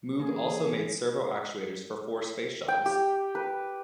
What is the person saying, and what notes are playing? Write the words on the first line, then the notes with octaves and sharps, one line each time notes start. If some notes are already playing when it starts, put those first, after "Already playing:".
Moog also made servo-actuators for four Space Shuttles.
E3 A#3 G#4
G5
G4
B4